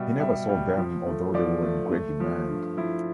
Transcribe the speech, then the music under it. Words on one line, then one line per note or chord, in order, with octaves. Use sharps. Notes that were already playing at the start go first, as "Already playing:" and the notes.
He never sold them although they were in great demand.
Already playing: B2 G3 E5
G3 E5
G3
F3
A3
F3 D5
A3
A3
F3
G2
F3 E4